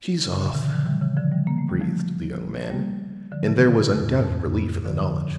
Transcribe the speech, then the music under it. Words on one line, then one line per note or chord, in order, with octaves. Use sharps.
"She's off," breathed the young man, and there was undoubted relief in the knowledge.
C#3
A#2 D3
C#3 E3
D3 F3
E3 G3
C#3 E3
D3 F3
E3 G3
A#3
A3
G3
F3 A3
A3
G3 A#3
D3 F3
C#3 E3
A2
G2
E2
F2
F2
F2
G2
D3 F3